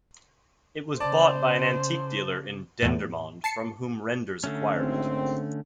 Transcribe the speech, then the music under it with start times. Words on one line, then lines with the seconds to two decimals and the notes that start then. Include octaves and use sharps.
It was bought by an antique dealer in Dendermonde from whom Renders acquired it.
1.00 C#3 C5 D5 A5 D6
2.82 E2 A2
3.44 A5 C7 C#7
4.44 D3 A3 C#4
4.77 G#1 C4